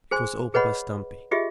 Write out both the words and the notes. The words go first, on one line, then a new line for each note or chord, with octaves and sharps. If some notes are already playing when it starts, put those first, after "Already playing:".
It was opened by Stumpy.
G#4 C5 G#5 C6
G#4 B4 C#5 D#5 F#5 B5
F4 G4 G#4 D#5 E5